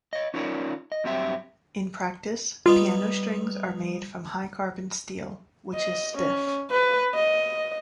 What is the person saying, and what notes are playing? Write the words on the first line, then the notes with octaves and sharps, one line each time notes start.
In practice, piano strings are made from high-carbon steel, which is stiff.
C#5 D#5
C#4 D#4 F4 A#4 C#5 D5
D#5
G2 F#3 C4 G4 E5
G3 B3 D#4 F4
D#5
C#4
B4
D#5